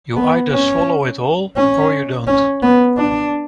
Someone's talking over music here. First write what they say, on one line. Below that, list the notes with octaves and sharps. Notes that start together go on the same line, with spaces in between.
You either swallow it whole-or you don't.
B3
C#4
C#4
C#4
B3
D4